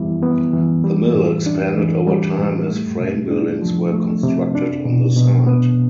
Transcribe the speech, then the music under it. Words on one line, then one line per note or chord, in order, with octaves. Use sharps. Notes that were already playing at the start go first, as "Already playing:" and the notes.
The mill expanded over time as frame buildings were constructed on the site.
Already playing: E3 G3 B3 E4
B3
E3
G3
A2
D4
E3
G3
A2
A3
C3
D4
F3
A3
C3
D4
B2
B2
B3